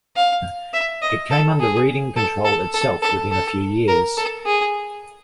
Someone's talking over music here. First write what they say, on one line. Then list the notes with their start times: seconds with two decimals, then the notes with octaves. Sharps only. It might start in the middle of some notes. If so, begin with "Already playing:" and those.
It came under Reading control itself within a few years.
0.16 F5
0.73 E5
1.02 D#5
1.31 A4
1.60 G#4
2.16 A4
2.45 A4
2.74 A4
3.02 A4
3.31 A4
3.88 A#4
4.18 A4
4.45 G#4